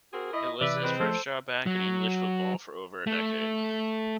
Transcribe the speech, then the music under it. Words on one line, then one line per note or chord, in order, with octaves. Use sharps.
It was his first job back in English football for over a decade.
C4 F#4 G#4 A#4
A3 E4 D#5
C3 E3 B4 D5 E5
G#3 C4 B4
F3 A3 A4 C5
F#3
A3